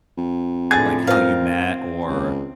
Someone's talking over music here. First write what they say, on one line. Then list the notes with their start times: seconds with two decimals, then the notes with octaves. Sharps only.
like how you met or
0.17 F2
0.71 A2 D3 G#4 G#6 A6
1.07 C4 D#4 F4 A#4 C5 F5
2.09 C#2